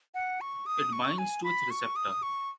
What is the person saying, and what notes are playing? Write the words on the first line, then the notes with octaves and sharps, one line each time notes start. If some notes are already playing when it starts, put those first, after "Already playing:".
It binds to its receptor.
F#5
C#6
D#6
C#6
G#5
B5
C#6
D#6
C#6